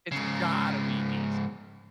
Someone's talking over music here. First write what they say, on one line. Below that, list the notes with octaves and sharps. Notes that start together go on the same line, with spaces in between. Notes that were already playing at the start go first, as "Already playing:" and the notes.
it's gotta be decent.
G#2 C#3